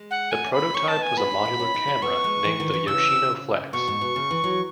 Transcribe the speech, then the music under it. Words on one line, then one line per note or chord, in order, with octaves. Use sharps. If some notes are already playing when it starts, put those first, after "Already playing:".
The prototype was a modular camera named the "Yoshino Flex".
Already playing: G#3
F#5
A3 G#5
C#4
B5
D#4
C#4 C#6
A5
B3
G#5
B3 B5
C#4
A3
C#4
D#4
C#4
B3 C#6
G#3
E3
D#3
E3
C#3 E6
B2 C#6
G#2
B2
C#3
E3
F#3